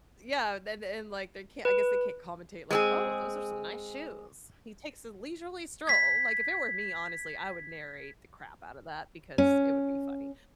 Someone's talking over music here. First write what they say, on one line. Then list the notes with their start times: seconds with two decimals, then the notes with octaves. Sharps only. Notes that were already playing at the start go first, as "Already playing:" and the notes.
Yeah, then the and, like they can't I guess they can't commentate like, "Oh, those are some nice shoes. He takes a leisurely stroll," like if it were me, honestly, I would narrate the crap out of that because it would be funny,
1.65 B4
2.71 G#3 C4 G#4
5.87 G#6 B6
9.38 C#4